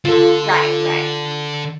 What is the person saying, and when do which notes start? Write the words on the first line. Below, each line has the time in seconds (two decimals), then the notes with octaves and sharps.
Right, right.
0.05 D3 F4 A4